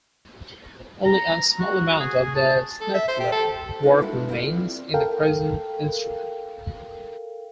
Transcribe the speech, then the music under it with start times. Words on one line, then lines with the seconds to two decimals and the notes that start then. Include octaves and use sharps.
Only a small amount of the Snetzler work remains in the present instrument.
1.05 A#5
1.60 F#4
2.00 G#4
2.35 A5
2.80 A4
2.94 E5
3.08 C5
3.20 G4
3.32 A4
3.83 D4 D#4 F4 B4
4.01 G#3 D4 E4 F#4 A4
4.29 C4 E4 F4 C5 D5
4.94 A4 A#4 F5 G5